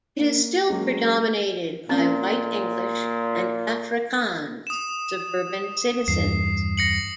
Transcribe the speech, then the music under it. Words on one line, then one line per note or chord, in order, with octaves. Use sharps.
It is still predominated by white English and Afrikaans suburban citizens.
A#3
F#3 G#3 A#3 C#4
A#2 C4 C#4
D#6 E7
E2 G2 C7
A#6 C#7 F#7